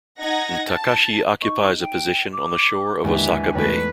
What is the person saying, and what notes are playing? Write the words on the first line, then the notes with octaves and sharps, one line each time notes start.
Takaishi occupies a position on the shore of Osaka Bay.
D#4 F#5 G#6 A#6
A5
D#4 C#6
G5
D6
D#2 G#2 D3 E3 G#5
E2 G#2 A3 B4